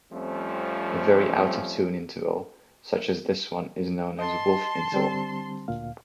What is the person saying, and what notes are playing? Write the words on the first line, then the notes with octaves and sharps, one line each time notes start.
A very out-of-tune interval such as this one is known as a "wolf interval".
F2 F3 G3 A3 C4 C#4
D#5 A5 C6
D3 G3 C4
D2 A#2 F5